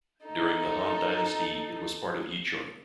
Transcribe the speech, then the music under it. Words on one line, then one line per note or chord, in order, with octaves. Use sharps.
During the Han dynasty, it was part of Yichun.
D#4 A4